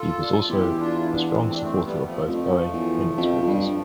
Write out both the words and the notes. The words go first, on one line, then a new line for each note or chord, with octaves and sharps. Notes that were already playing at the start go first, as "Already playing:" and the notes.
He was also a strong supporter of both Boeing and its workers.
Already playing: F4 A4
D4
E4
F4
E2 E4 G4
D4 F4
E4
B3 D4
B3
A3 C4
D4
A3 C4
G3 B3
F3 A3
F2 F3 A3
E2
F2
F2
G2